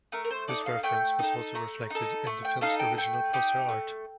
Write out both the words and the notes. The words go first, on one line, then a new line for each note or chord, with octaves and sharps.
This reference was also reflected in the film's original poster art.
A3 A#4
A#4
C5
D#4 A4 D5
F5
A3 G5
D#4 A4
A3 A#5
D#4 A4
A3
G5
D#4 A4 F5
G5
A3 G5
D#4 G4
A3